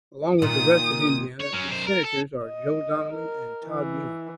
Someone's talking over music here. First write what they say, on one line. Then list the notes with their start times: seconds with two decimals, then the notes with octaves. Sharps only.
Along with the rest of Indiana, its Sentators are Joe Donnelly and Todd Young.
0.42 A#2 D#3 D#6
1.40 C#5
1.53 F#3 C#4
1.68 F#2 C5
1.87 A#4
2.05 A4
2.45 D#5
3.12 A#4
3.67 E3